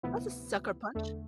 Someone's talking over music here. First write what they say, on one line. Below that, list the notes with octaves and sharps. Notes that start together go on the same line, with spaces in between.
That's a sucker punch.
D2 C3 F3 B3 E4
E2 D3 A3